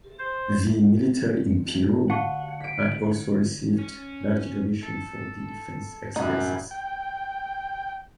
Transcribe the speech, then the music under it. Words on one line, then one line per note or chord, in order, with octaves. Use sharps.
The military in Peru had also received large donations for the defense expenses.
C5
D2 F5 F#5 A5 C#6
B6 D7
C#4
A4
C2 F#2 A2 D#4 B5
G5